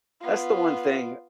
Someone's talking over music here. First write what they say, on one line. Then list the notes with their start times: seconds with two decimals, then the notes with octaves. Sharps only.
that's the one thing
0.21 B3 F4